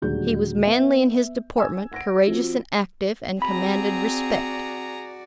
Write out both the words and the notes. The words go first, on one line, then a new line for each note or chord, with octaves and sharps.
He was manly in his deportment, courageous and, active; and commanded respect.
D#1 D2 F#3 G3 G#4 G6
B3 E5
G#5 E6 G#6
F#5 A#6 D7
F3 C4 F#4
C4 F#4 G#4 D5 A#5 B5